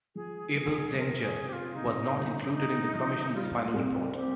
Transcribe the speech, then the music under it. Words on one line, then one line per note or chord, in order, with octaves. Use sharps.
Able Danger was not included in the Commission's final report.
F3 G#4
F3 G#4 A#4
F3 A#4
G#4
C3
G4
F4
C3 D#4
G1
G1 D#4
F3
G3 F4
C2
C4 G4